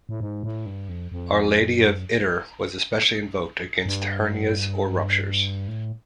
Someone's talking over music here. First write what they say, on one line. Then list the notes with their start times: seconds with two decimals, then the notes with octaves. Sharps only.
Our Lady of Ittre was especially invoked against hernias or ruptures.
0.09 A2
0.20 G#2
0.43 A2
0.66 G2
0.89 F2
1.12 F2
1.57 F#2
3.86 G2
5.68 A2